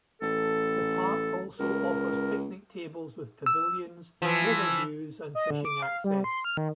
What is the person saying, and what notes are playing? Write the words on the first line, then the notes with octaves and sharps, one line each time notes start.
The park also offers picnic tables with pavilions, river views, and fishing access.
A1 A4
C#2 A#4
E6
E3 F3
D#5
D3
D6
F5
G3
C6
F6
D#3